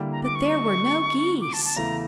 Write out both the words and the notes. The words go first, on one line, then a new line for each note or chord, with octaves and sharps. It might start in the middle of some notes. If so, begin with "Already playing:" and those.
But there were no geese!
Already playing: D3 G3 A#3 E4 G4
A#5
D6
C#6
D6
A5
A5
E2 C#3 E3 A3 A#5